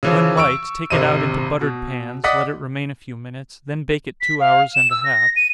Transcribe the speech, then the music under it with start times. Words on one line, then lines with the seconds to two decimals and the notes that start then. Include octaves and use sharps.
When light, take it out into buttered pans, let it remain a few minutes, then bake it two hours and a half.
0.03 C#3 E3 F3
0.37 C#6 E6 D7
0.90 G#1 C3 D#5 D#7
1.61 B2
2.24 D5 D#5 F#5 D#6 B6
4.21 B6
4.40 F5
4.75 E7
4.91 E6
5.04 A#6
5.36 D#7